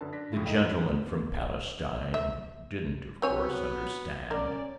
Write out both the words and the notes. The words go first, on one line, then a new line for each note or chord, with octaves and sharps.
The gentleman from Palestine didn't, of course, understand.
F#2 D3 B4 A5
D4 A#6 B6
A2 C#3 E4 F4
D#4 E4 A4 D#5 F5 G5
G2
B3
E5
F#3 B3 C4 C#5 G#5
C#4 A#4 D5